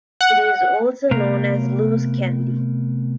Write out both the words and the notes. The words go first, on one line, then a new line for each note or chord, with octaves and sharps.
It is also known as loose candy.
F#5
C3 A3 B3 A#4 F5 A#5